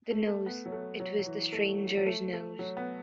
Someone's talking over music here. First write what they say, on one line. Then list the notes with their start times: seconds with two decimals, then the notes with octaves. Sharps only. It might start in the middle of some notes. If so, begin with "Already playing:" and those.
The nose — it was the stranger's nose!
0.10 A3
0.27 A3
0.46 B3
0.66 F#3
0.72 A3
1.00 F#3
1.19 F#3
1.26 E3
1.53 A3
1.97 F#3
2.06 A3
2.33 A3
2.59 F#3
2.77 B3